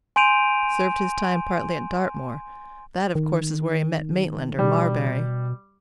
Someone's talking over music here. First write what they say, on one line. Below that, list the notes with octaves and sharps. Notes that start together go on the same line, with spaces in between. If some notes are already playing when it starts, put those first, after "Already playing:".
Served his time partly at Dartmoor. That, of course, is where he met Maitland or Marbury.
G#5 C6 G6 D7 D#7 F7
D#3
B2 G3